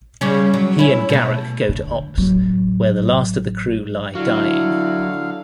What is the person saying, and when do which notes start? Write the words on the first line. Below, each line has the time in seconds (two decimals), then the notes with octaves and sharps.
He and Garak go to Ops, where the last of the crew lie dying.
0.21 C#3 G3 C#4
0.54 F#3
0.79 C#4 E4
1.10 B2 A3
1.69 D3
2.18 A1 F#3
4.15 D3 F#3 E4 F5